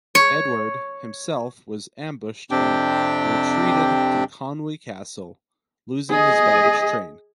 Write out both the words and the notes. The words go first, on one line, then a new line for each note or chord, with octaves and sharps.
Edward himself was ambushed and retreated to Conwy Castle, losing his baggage train.
C#5
F2 C3 C4 D4 G4 G5
G#4 D#5